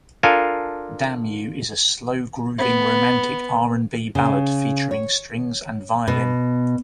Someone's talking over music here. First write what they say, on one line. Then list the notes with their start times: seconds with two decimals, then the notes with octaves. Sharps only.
"Damn U" is a slow-grooving romantic R and B ballad, featuring strings and violin.
0.23 D4 F4 A4 A#4 F5 G#5
2.58 B3
4.15 C#3
4.91 C#5
6.07 B2